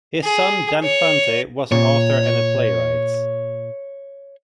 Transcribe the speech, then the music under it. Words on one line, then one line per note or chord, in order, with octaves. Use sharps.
His son Dan Fante was an author and playwright.
G#4
C#5
A#2 C#5